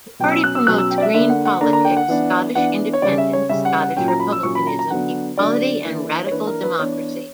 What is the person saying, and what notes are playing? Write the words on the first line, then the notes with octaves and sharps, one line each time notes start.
The party promotes green politics, Scottish independence, Scottish republicanism, equality and radical democracy.
B2 F#3 C#4 G5
E6
F#6
E6
B2 F#3 C#4 F#6
E6
G5
D5
E5
D3 A#3 D4 E5
F#5
F#5
D3 A#3 D4 A#5
A#5
G5
F#5
E3 B3 D4
E3 B3 D4 F#5
C#5
C#3 G3 C#4 D5
E5
C#5
C#3 G3 C#4 E5
F#5
F#5
A#2 F#3 C#4 G5
A#5
B5
E6
A#2 F#3 C#4 C#6
B5
A#5
A#5
D3 F#3 B3 D4 F#5
D3 F#3 B3 D4 D5
E3 A#3 D4
C#5
E3 A#3 D4 B4
A#4
B4
E3 B3 D4 C#5